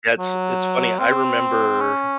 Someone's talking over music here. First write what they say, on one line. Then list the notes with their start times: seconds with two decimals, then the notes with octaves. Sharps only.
That's it's funny, I remember
0.19 F#3
0.99 C4
1.80 C#4